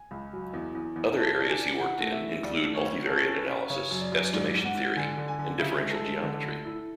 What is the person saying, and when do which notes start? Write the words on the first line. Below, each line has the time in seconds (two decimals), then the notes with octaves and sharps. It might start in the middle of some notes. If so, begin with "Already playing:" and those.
Other areas he worked in include multivariate analysis, estimation theory, and differential geometry.
Already playing: G#5
0.11 C#2
0.33 F#3
0.53 E2
0.75 E2
0.96 E2
1.17 A4 A5
1.38 D4
1.48 G#5
1.59 D4
1.79 E3 F#5
2.00 A3
2.12 E5
2.22 E3
2.43 D2 D5
2.64 A3
2.75 C#5
2.85 D2
3.06 C#4 A4
3.28 C#4
3.38 B4
3.48 C#4
3.70 C#3 C#5
3.91 F#2
4.01 D5
4.12 F#2
4.33 G#2 D5
4.54 G#2
4.65 F#5
4.74 G#2
4.96 D3 G#5
5.17 D3
5.28 G#5
5.39 D3
5.59 C#3 E5
5.80 G#3
5.90 A4
6.01 G#3
6.23 D3
6.43 D2
6.65 E4